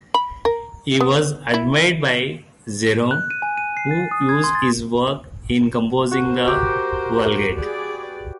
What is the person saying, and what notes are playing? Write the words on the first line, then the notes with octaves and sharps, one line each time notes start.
He was admired by Jerome, who used his work in composing the "Vulgate".
B5
A#4
B3
E4
F#6
D#7
G#5
D#7
C7
A6
D#6
G#6
C6
A6
F#4 A#4 C5
F#4 G4
G#4 B4 D5